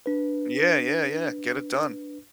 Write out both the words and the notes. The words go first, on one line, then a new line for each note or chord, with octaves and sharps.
Yeah, yeah, yeah, get it done.
D4 B4